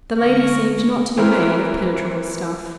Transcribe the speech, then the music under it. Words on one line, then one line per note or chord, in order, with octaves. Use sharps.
The lady seemed not to be made of penetrable stuff.
D3 G#3 A#4 C#6
E3 C4 E4 A#4